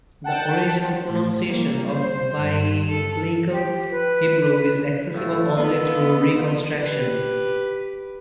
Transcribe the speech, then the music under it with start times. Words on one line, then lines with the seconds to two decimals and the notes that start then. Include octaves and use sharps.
The original pronunciation of Biblical Hebrew is accessible only through reconstruction.
0.24 F#5 G5 A5
1.07 A2
1.46 G3 A#3
1.90 C5
2.38 G2
2.89 A4
3.51 G4
3.91 B4
5.14 A2 F4 A4
5.58 B3 B4 D#5 F5
6.77 G4 B4